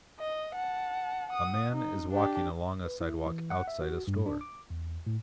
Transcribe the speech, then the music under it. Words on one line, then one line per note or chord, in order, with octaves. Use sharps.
A man is walking along a sidewalk outside a store.
D#5
F#5 A5
F#5 D#6
D#4
D4 G4
B4
E4
E3
F#5
E5
F#4
G2
D4
D6
E2
A2